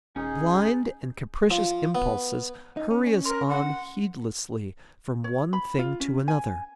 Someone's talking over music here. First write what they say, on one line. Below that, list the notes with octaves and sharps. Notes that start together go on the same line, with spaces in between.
Blind and capricious impulses hurry us on heedlessly from one thing to another.
E1 C#4 D#4 G#4
F3
B3
D#4
C#4
C#4
A#4 C6
F#5
C#5
B5
F4
C#4
G#5